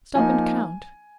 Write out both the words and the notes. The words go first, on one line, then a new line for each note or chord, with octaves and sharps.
Stop and count.
F3 A#3 D#4 G#5